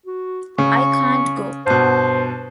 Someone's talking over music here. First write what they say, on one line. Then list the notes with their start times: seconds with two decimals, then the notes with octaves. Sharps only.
I can't go!
0.06 F#4
0.58 C#3 C#6
1.66 G2 B2 C5